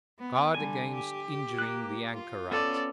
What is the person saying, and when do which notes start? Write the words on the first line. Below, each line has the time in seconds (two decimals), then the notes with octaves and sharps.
Guard against injuring the anchorite!
0.19 B3
0.54 D3 G3 G#5
0.93 G4
1.59 A#3 F#6
2.13 F4
2.52 B3 C#4 A4 D5